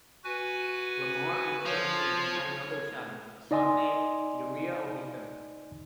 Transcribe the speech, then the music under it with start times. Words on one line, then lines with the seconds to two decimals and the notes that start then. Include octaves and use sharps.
Lemar and Charmaine had another child, a son named Uriah Obika.
0.24 F#4 B4 G#5
1.66 F3 C#5
3.51 D#4 D5 D#5 G#5 C6